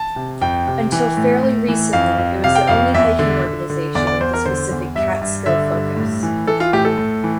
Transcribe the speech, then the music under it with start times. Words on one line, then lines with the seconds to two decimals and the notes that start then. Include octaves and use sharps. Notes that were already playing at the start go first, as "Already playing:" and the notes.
Until fairly recently it was the only hiking organization with a specific Catskill focus.
Already playing: A5
0.16 C3
0.41 F2 G5
0.67 C3
0.92 E3
1.17 A2
1.43 A2
1.68 E3
1.93 F2 F5
2.18 F2
2.44 C3 F5
2.55 G5
2.67 F2 F5
2.94 E2 E5
3.19 D3
3.45 D3
3.70 D3
3.95 E2 D5
4.07 D5
4.20 E2 C5
4.33 A#4
4.45 D3 C5
4.71 E2
4.95 G2 E5
5.22 G2
5.46 D3 E5
5.72 G2
5.97 A2
6.23 E3
6.47 E3 A4
6.60 F4
6.73 A2 G4
6.85 A4
6.98 A2
7.24 E3